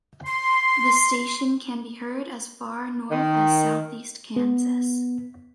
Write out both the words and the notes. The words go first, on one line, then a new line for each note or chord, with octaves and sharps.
The station can be heard as far north as southeast Kansas.
C6
D#3
B3